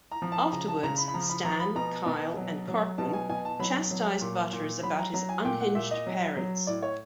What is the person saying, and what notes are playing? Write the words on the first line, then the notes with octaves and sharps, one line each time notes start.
Afterwards, Stan, Kyle and Cartman chastise Butters about his unhinged parents.
A#5
F3
A5
C#3 A#5
A5
C#3 A#5
B5
B5
F3 A#5
B5
F3 A#5
B5
B2 A#5
B2
F#3
F#3
B2 A5
G#5
B2 G#5
A5
F#3 B5
F#3
A#2
A#2
F#3 B5
A#5
F#3 A#5
G#5
A#2 G5
F#5
A#2 E5
D#5
F#3
F#3
A2 D5
C#5